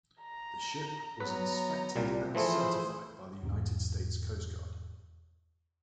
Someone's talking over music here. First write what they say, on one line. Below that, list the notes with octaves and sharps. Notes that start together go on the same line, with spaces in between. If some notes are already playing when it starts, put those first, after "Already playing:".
The ship was inspected and certified by the United States Coast Guard.
A#5
F#3 B3 B4 A#5
C2 A#2 G3
E3 F3 A3 E4 G#4 C5
E1 E2 G#2